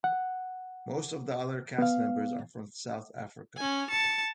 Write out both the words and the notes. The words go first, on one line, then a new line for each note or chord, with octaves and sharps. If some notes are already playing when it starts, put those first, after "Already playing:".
Most of the other cast members are from South Africa.
F#5
B3 F5
C#4 G#5
A5 C#7